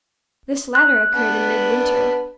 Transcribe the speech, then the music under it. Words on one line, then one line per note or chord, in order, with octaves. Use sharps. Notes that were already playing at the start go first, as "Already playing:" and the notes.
This latter occurred in midwinter.
F#6
B3 D4 B4